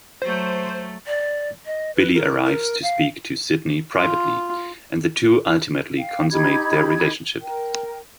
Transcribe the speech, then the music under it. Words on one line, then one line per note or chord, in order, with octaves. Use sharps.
Billy arrives to speak to Sidney privately, and the two ultimately consummate their relationship.
F#3 A3 C5
D5
D#5
B4
A#4
A#4
F5
F4
F5 G5
D#4 G4 B5 G#6
A#4 G5